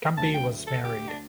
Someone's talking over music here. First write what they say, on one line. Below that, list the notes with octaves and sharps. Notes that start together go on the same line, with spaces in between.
Cumby was married.
D2 D3 F#3 A5
G5
A4
G4
D4